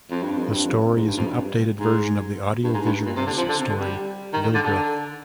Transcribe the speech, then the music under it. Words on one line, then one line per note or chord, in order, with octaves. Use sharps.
The story is an updated version of the Audio Visuals story "Vilgreth".
F2
G2
F2
G2
F2
G#2
G2
F2
G2
G#2
G2
G#2
G2
A#2
C3
D3
F3
D3
C3
D3
G3
D#3
D#3
D3
D3